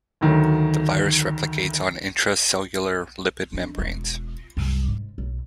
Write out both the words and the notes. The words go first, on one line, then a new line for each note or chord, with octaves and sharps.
The virus replicates on intracellular lipid membranes.
D2 D#3 F#3
E3 D4
E1 F4
C2 F#2
G#2
B1